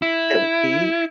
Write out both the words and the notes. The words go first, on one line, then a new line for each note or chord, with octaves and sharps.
that we need.
E4